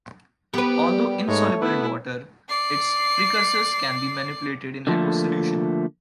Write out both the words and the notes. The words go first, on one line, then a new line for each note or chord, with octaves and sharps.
Although insoluble in water, its precursors can be manipulated in aqueous solution.
B3 G4 B4
G3
G#2 A3 C#5
B3 E4
D5 C7
D3 F3 A3 A#3